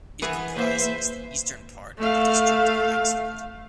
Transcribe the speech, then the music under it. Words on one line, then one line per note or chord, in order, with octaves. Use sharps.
It comprises the eastern part of the district of Eichsfeld.
E3 B3 G#4
A#3 B4 C5 E5
A3 F5